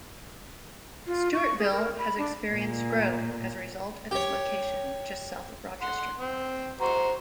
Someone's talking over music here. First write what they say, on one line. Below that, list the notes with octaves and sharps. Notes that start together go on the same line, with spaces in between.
Stewartville has experienced growth as a result of its location just south of Rochester.
F4
C#6
G#4
A#4
B5
D4
A#2
G4 C#5
F#5 C6
C4
F#4 C5 A#5